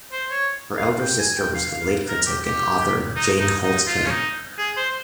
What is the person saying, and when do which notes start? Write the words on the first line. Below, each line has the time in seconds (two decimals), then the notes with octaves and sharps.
Her elder sister was the late critic and author Jane Holtz Kay.
0.12 C5
0.30 C#5
0.77 F5
1.01 G5
1.19 G#5
1.37 G5
1.54 F5
1.73 F5
2.09 A#4
2.26 G4
2.44 G4
3.16 D#4
3.39 D#4
3.63 D#4
3.87 F4
4.06 C#4
4.11 D#4
4.58 G#4
4.77 C5